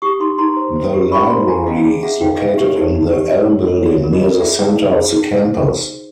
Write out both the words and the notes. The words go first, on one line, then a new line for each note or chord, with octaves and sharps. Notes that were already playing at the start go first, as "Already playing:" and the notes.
The library is located in the L building near the center of the campus.
G4 C#6 D#6
D#4 C6 D6
D#4 A#5 C6
C5
C5
G4
C#4 B5 C#6
C5 A#5 C6
F4 G#5 A#5
C#4 D#5 F5
G#4 D5
G#4 E5 F#5
D#4 F5 G5
D#5 F5
B4
D5 E5
G4
C#5
D#4 C#5
D#4
G4
C#5
C#5
C#5
C#5 D5
A#4
C#5 D#5
F4
G#4 D5 E5
G#4
D#4
G#4
D#4
C5